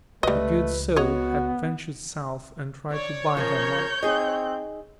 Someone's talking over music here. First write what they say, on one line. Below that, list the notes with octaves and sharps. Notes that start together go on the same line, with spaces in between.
The good soul had ventured South and tried to buy her mother.
C#2 G3 A3 B4 D#5
B3 F#4 C#5 D#5
C#5 D5
C#3 F3 A#4 G6
C4 D#4 G#4 D#5